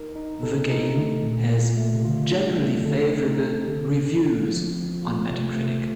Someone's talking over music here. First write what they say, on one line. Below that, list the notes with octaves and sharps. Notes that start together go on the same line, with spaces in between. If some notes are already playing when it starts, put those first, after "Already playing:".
The game has "Generally favorable reviews" on Metacritic.
Already playing: D#4 A#4
D#4
C3 A4
D#4
A3
A#2
A#2
A3
C3
D3 F4
D4
A3
D3 A4
D#4
A4
D3
D4
F4
F3
C4
F4
C3 A3
A3